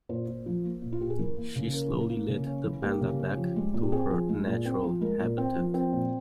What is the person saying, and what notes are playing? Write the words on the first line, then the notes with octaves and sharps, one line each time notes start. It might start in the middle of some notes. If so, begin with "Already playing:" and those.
She slowly led the panda back to her natural habitat.
A#2 C5
A#2
F3
A#3
A#2
F4
A#2 G4
G#4
E3 A#4
A#3
C#3
C#4 A#4
E3
A#3
C#3
C#4
E3
A#3 G4
C#3
C#4
F3
G#3
A#2
G4
C4 G#4
F3
G#3
A#2
C4
F3
G#3 A#4
A#2
C4
F3
C4
A#2